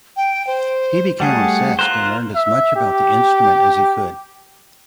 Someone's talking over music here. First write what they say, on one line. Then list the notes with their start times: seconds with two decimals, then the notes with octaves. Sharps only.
He became obsessed and learned as much about the instrument as he could.
0.17 G5
0.47 C5
1.20 G3 A3 G#4 F#5
1.79 F4 A#4 C5 F#6
2.36 E5
2.76 G4